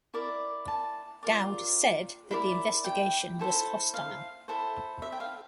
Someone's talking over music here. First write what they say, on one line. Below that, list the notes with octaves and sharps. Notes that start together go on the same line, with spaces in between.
Dowd said that the investigation was "hostile".
E4 A#4 D5
A5
F4 A#4 D5
E4 A#4 D5
G5
E4 A4 C5
F5
E4 A4 C5
E5
G5
F5